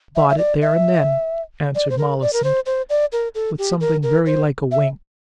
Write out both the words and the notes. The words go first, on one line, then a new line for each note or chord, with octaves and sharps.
"Bought it there and then," answered Mollison, with something very like a wink.
E5
E5
D5
E5
D5
C5
A#4
D5
A#4
C5
C5
D5
A#4
A4
G4
A#4
A#4
C5
E5